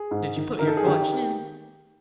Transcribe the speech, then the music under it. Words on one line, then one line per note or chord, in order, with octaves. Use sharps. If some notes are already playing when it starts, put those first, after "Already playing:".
"Did you put your collection in?"
Already playing: G#4
G#2
D#3
D#3 A#4
A4
G#4
D#3 G4